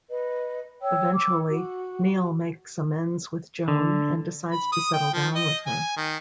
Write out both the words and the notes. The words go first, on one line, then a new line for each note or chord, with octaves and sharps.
Eventually, Neal makes amends with Joan, and decides to settle down with her.
B4 D#5
C#5 G5 E6
D6 E6
F#4
D3
B5
D#6
G5
F3
D#5
G#5
D#3